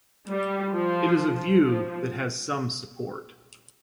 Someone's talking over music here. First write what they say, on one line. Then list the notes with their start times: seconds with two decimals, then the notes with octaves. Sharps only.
It is a view that has some support.
0.28 G3
0.73 F3
1.63 F3